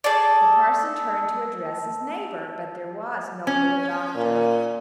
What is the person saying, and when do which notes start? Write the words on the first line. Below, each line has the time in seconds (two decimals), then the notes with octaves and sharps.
The parson turned to address his neighbour, but there was no little doctor.
0.04 G#4 A4 D5
3.47 C#4
4.16 A#2